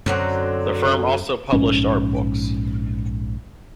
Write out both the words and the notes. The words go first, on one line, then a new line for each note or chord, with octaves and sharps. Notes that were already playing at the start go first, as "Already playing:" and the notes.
The firm also published art books.
F#2 D3 F#3 C4
A#1 G#2 C#4